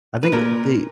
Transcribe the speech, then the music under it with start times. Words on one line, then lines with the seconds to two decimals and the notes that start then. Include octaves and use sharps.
I think, eh, they
0.23 B4
0.32 A#2 A#4